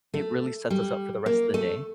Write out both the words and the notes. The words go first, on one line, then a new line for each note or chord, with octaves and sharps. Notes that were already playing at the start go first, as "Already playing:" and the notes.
it really sets us up for the rest of the day.
A3
G3
A#3
A3